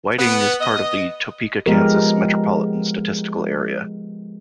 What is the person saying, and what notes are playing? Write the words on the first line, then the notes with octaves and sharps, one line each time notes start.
Whiting is part of the Topeka, Kansas Metropolitan Statistical Area.
B3
D#5
F3 G#3 B3 G4 A#4